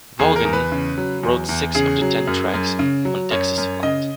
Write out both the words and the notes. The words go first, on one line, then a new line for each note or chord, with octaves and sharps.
Vaughan wrote six of the ten tracks on "Texas Flood".
E2 G#4
A#4
E2
B4
C#3
F#3
E2
E2
C#3 G#4
F#3
F#2
F#2
C#3
F#3
F#2 C#5
F#2
C#3 D#5